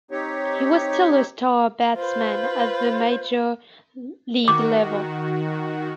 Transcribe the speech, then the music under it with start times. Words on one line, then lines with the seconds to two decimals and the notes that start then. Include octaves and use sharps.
He was still a star batsman at the major league level.
0.11 C4 D#4 G4 C#5
1.95 F4 B4 C5
4.48 D#3 F#4 D6